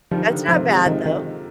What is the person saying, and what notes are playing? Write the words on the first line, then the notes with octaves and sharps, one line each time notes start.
That's not bad, though.
D#3 F3 G3
D3 F3
C3 D#3 F3
F3 G#3
D#3
D#3